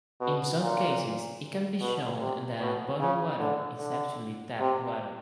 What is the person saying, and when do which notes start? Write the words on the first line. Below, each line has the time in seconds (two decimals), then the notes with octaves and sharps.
In some cases it can be shown that bottled water is actually tap water.
0.21 B2
0.61 A#2
1.80 B2
2.20 C3
2.60 B2
3.00 C#3
3.39 D3
3.79 D3
4.60 C3